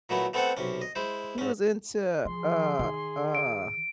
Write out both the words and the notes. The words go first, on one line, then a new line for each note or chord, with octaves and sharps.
she was into, uh uh
A#2 F#3 A3 B3 E4
A3 B3 C4 A4 C5 F#5
B1 C3 C#4
D#5
G#3 E4 C5
G#2 C#4
F3 G#4 C6
D#3
D7